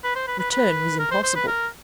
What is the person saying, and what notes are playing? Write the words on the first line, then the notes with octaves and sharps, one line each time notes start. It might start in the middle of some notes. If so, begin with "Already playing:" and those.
Return was impossible.
B4
C5
B4
B4
B4
A#4
C5
C5
B4
A#4